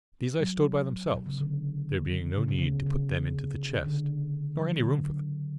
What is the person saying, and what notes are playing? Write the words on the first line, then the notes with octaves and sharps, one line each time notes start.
These I stowed by themselves, there being no need to put them into the chest, nor any room for them.
F#3
B2
C#3
D3
C#3
B2
C#3
C#3
D3
F#3
D3